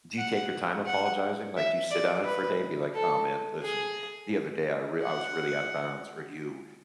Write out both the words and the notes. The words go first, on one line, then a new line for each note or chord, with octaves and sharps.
Do you take your time apologizing? Like, do you sit on it for a day and be like, "Oh, man, listen, the other day, I real I was really out of bounds," or do you
F#5
F#5
E5
D5
B4
A4
G#4
F#5